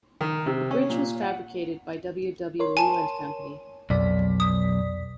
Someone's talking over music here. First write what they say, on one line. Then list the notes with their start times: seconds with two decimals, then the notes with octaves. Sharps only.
The bridge was fabricated by W. W. Leland Company.
0.21 D#3
0.46 C3
0.71 C#4
0.89 A#2
1.22 F#5
2.59 A#4 C#5 C6
2.77 G#5 A5
3.90 B1 F2 D5 B6
4.40 D#6